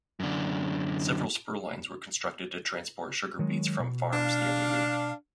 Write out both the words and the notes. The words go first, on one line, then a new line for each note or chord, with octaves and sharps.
Several spur lines were constructed to transport sugar beets from farms near the route.
F#2 D3
D#3 F#3 G#3
B2
D4 F5